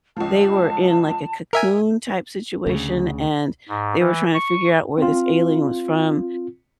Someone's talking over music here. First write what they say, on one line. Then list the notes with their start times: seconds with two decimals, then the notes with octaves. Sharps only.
they were in, like, a Cocoon type situation, and they were trying to figure out where this alien was from,
0.17 C#2 F3 A5
1.53 A#4 E5 G#5
2.67 D2 C#3
3.69 G#2
4.00 E3
4.34 C#6
4.98 C4 F4